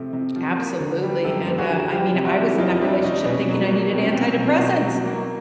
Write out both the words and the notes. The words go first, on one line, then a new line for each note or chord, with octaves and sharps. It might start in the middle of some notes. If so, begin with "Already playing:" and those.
Absolutely, and, uh I mean, I was in that relationship thinking I needed antidepressants,
Already playing: C3 F3 A3
C3
F3
A#3
D3
G3
F#2 G4 A4
A#3
F#4 G#4
D3
G3 F4 G4
C3
E4 F#4
E3
F2 D#4 F4
G3 D4 E4
C3 C#4 D#4
B2 B3 C#4
F#3
A#3
B2 C4
C#4
B2 C4
C4
F#3 B3
C4
B2
F#3
A#3